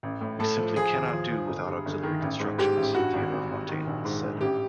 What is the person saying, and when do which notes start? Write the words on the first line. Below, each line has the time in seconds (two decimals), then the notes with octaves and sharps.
'We simply cannot do without auxiliary constructions', Theodor Fontane once said.
0.03 A1
0.21 A2
0.39 A2 A4
0.57 F3
0.76 F3 G#4
0.95 D#2
1.13 F3
1.31 F3
1.49 G1
1.67 G2
1.86 G1
2.03 D#3
2.22 A1
2.40 G#2
2.58 G#2 G4
2.77 A1
2.95 G2 F#4
3.13 G#1
3.32 G#1
3.50 G#1
3.69 D#3
3.87 A#1
4.05 G#2
4.23 A#1
4.41 A1 G4